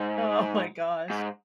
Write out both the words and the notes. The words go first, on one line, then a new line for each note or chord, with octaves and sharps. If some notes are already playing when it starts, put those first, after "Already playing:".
Oh my gosh.
Already playing: G#2
G#2